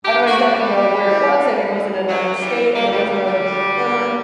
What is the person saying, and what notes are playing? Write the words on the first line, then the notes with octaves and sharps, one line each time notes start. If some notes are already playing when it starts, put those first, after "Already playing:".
I don't exactly know where it was, I think it was in another state and there was another performer
G2 G4
F#4
E3
G3
G2
E3
F#2
E3
F#2 F#3
E3 G3
D2 A#3
G3
D3 G3
G3
D2
D3